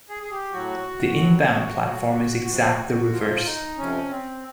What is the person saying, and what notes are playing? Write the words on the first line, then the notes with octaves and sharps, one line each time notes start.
The inbound platform is exact the reverse.
G#4
G#4
G4
A2 F#3 F#4
A2 F#3
A2 F#3 F#4
F2 C3 F3
F2 C3 F3 F4
D#4
F2 C3 F3 C#4
C4